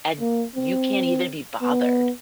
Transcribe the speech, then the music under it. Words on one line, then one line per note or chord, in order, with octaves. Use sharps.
and you can't even be bothered.
A#3
C4
B3